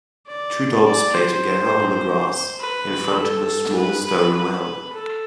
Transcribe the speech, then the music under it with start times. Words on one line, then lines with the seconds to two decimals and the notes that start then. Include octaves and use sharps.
Two dogs play together on the grass in front of a small stone well.
0.28 D5
0.86 D5
1.14 C5
2.61 B4
3.19 A4
3.76 B4
4.06 B4
4.35 B4
4.94 A4